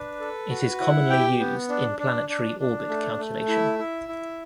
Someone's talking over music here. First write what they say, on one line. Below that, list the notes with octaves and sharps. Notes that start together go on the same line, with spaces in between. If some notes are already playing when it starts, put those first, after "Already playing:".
It is commonly used in planetary orbit calculation.
Already playing: D4 B4
A4
F#4
E4 F#5
G4 G5
B3
D4
D4
D4
D4
A3
A3
E4 E5
E4
E4